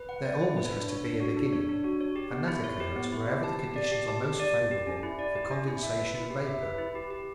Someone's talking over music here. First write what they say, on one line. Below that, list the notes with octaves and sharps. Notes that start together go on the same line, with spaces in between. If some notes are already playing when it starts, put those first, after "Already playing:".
There always has to be a beginning, and that occurs wherever the conditions are most favorable for condensation of vapor.
Already playing: B4
F#5
D5
E4
B4
D4
C#5
D4
F#4
D4
C#5
D4
F#4
C#5
G4
B3
E4
C#5
G4
B3
E4
G4
A5
G4
D5
G4
A5
G4
D5
D5
G4
C#4
E4
D5
G4
C#4
E4
E5
B4
E4
G4
E5
B4
E4
G4
G4